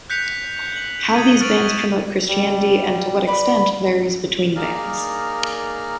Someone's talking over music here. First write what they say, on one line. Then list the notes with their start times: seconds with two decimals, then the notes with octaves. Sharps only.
How these bands promote Christianity, and to what extent, varies between bands.
0.10 F#6 G6 B6 C#7 F7
0.76 F#7
1.14 D#6 G#6 A6 D#7
1.40 C#6 F6 A6 D7 F7 F#7
1.70 E7
2.29 G3
3.27 B4 D5 B5
4.56 A#3 D#4 G#4 A#4 D5 F6